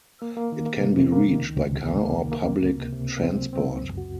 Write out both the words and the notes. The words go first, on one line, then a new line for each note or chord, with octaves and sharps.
It can be reached by car or public transport.
A#3
A#3
D#3
A#3
C3
C3
A#3
D#3
C#2
C#2
C3
A#3
A#3
D#3
A#3
A#3
C#2
C3
C3
C4
C4
F#3
C4
C#2
F#2
F#4